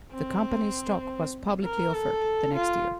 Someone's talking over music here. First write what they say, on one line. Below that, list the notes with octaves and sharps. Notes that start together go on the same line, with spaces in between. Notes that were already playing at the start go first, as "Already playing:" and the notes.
The company's stock was publicly offered the next year.
C4
A#4
A4
F4